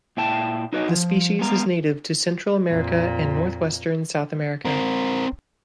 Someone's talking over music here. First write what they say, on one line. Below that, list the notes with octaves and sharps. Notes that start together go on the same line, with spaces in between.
The species is native to Central America and northwestern South America.
A#2 E4 G5 A5
D#4 F#4 B4 C#5 D#5
F3
G#3 B3 A#5
F2 A#2
C4 A#4